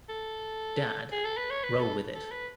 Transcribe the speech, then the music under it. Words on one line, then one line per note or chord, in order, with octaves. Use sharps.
'Dad, roll with it.
A4
G#4
A4
B4
C#5
B4
A4
A4
B4